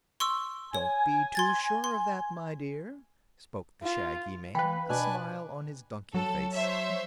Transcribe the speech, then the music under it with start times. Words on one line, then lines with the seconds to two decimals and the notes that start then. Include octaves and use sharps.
"Don't be too sure of that, my dear," spoke the shaggy man, a smile on his donkey face.
0.20 C6 C#6 E6
0.75 C#5 G#5
1.35 C6 G#6 A6
1.84 C6
3.83 F4
4.55 E3 B4 F5 G5 B5
4.90 B2 D4 G#5 F#6
6.14 F#3 A4
6.53 C5 C#5 E5